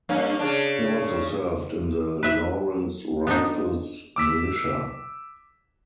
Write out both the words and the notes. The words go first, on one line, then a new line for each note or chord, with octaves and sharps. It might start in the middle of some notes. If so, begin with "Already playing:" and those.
He also served in the Lawrence Rifles militia.
G2 A#3 C#4
C#3 D4
B4 E5
B3 D4 D#4
D6 E6 B6